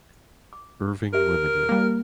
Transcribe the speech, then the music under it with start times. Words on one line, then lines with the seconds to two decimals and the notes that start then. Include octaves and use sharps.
Irving Ltd.
0.53 D6
1.13 G4 A#4 E5
1.69 G3 A#3